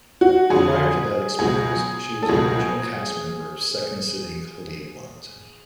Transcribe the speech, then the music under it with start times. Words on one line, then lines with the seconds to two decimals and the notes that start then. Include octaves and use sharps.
Prior to that experience, she was an original cast member of Second City Cleveland.
0.21 F#4
0.50 F2 D3 F#3 G#4
1.39 C#2 B2 F#3 G#4
2.23 A4
2.29 C#2 B2 F#3 G#4